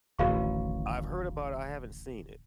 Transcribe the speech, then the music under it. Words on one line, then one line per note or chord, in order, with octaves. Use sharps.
I've heard about I haven't seen it.
D1 A1 D#3 F#4 F5 C#6